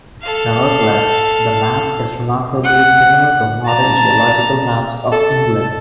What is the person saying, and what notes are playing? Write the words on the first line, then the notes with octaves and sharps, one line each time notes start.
Nevertheless, the map is remarkably similar to modern geological maps of England.
A4 F5
F#5
A5 A#5
A4